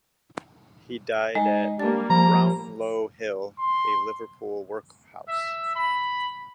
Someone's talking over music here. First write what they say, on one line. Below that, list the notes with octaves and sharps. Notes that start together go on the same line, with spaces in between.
He died at Brownlow Hill, a Liverpool workhouse.
G#3 D#4
G3 A#3 D4 A6
F3 A#5
C6
E5
B5